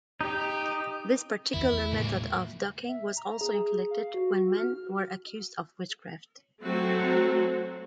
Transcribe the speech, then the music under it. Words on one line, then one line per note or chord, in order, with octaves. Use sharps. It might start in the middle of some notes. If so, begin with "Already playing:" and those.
This particular method of ducking was also inflicted when men were accused of witchcraft.
D#4 G4
E2 D#3 E4
C#2 A2 G#3 A#3
E5
A#5
G#4
F5
F#4
F6
F#3 A3 C4 F#4